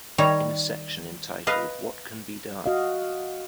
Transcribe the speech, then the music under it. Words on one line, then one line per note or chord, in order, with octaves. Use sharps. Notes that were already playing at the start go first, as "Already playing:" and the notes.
In a section entitled What Can Be Done?
D#3 G3 C#5 A#5
B4 D#5 F5
F#4 D#5 F5